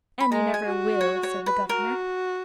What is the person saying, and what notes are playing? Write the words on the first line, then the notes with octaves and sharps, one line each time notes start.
"And you never will," said the governor.
B5
G#3 A#5
G#5
F#4
C#5
C#5
B4
F#4 A#4